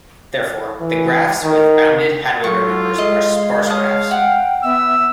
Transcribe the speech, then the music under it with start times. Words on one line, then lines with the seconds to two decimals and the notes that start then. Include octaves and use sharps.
Therefore, the graphs with bounded Hadwiger number are sparse graphs.
0.80 E3
1.43 D#3
2.44 F#3 F4 A4 C#6
2.98 G#3 D#5
3.34 F5
3.70 C#5 F5 A5 D#6
4.11 F#5 G5
4.64 B3 E5 E6